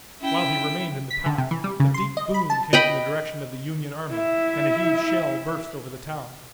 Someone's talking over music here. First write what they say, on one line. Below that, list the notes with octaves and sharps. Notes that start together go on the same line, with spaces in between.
While he remained in the path a deep boom came from the direction of the Union army and a huge shell burst over the town.
C#4 E4 G5
B6
D3
C3
E3
G3
C#3
C6
D#5
B5
A5
D#5 G5 B5
E4 E5